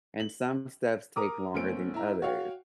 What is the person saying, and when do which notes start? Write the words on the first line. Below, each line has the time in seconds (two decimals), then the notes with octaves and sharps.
and some steps take longer than others,
0.20 F#7
1.16 A#4 A#5 D6 D#6
1.55 F#1 A3 B3 C#4 C5 D7
1.94 E4 A#5
2.22 F#4 C#5 F5 G5